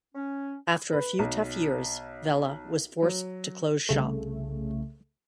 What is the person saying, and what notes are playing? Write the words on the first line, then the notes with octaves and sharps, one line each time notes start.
After a few tough years, Vella was forced to close shop.
C#4
B4
B1
F#3
C2 C#3 A3